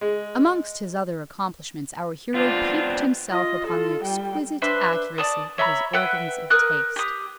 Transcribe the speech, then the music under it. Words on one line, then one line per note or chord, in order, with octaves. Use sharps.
Amongst his other accomplishments our hero piqued himself upon the exquisite accuracy of his organs of taste.
G#3
B3 C4 D4 F4
F4 D#5
F4 A4
G3 G5
D4 B4 C5 E5
D5 A5 D#6
C#5 E5 A#5 B5
B4 E5 F#5 G5
A#4 D#6 F#6
G4 D#6